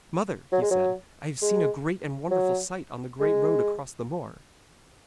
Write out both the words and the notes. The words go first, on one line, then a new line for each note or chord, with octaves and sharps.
'Mother,' he said, 'I have seen a great and wonderful sight on the great road across the moor.'
F#3
G#3
F#3
G#3
F#3
G#3